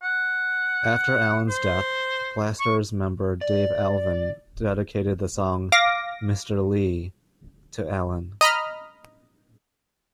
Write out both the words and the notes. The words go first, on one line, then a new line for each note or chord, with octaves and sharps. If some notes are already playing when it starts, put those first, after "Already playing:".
After Allen's death, Blasters member Dave Alvin dedicated the song "Mister Lee" to Allen.
F#5
C5
C#6
D5
F5 D6 A#6
D#5 A#5 B5 F6